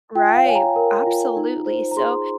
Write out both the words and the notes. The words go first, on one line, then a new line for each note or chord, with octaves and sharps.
Right. Absolutely, so,
F4 G5
F5
C#5 G#5
A#5
A#4
F4
D#4
C5
A#5
G#4 C6